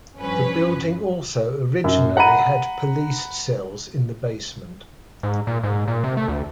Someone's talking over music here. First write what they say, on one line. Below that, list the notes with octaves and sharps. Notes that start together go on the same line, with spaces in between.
The building also originally had police cells in the basement.
G2 F3 C#4 B4
F#2
F#5 A#5 B5 D#7
G#2
A#2
G#2
A#2
C3
A3
D2